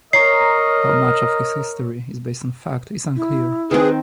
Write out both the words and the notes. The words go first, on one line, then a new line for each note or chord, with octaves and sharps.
How much of his story is based on fact is unclear.
A#4 C#5 D#5 A#5 C#6 C7
E4
D#3 C4 G#4 B4